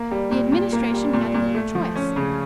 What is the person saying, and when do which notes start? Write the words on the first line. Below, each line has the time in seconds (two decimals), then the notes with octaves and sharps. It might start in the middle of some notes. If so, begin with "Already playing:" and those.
The Administration had little choice.
Already playing: A#3
0.11 G3
0.31 A#2
0.52 A#2
0.73 A#3
0.93 G3
1.13 A#2
1.34 A#2
1.55 A3
1.75 F3
1.96 C#4
2.16 C#3